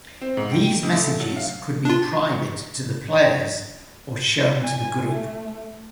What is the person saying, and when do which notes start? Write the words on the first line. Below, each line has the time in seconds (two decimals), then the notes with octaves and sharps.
These messages could be private to the players or shown to the group.
0.21 C4
0.37 G#2
0.52 G5
0.83 C#2
0.97 A3
1.20 F#3
1.36 F5
1.85 D4 F4
4.64 G#5
5.02 A3